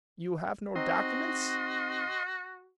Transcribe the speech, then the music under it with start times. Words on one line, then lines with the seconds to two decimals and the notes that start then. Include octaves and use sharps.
"You have no documents?"
0.76 C4 D#4 F#4 D#5 C6